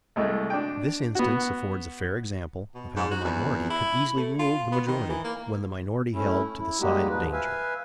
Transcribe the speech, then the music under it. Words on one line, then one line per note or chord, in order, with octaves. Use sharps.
This instance affords a fair example how the minority could easily rule the majority when the minority held to the side of danger.
C2 G#3 A3
D4 G5
B3 F#4
B2
G#2
F#4
E2
E4
A3
F4
B3
D#3
E3
A#3
A3 C#4 E4
E4
G3 G#3 A#3 D#4 F#4 G4
G#2 F3 B4
B4 E5 F5 G#5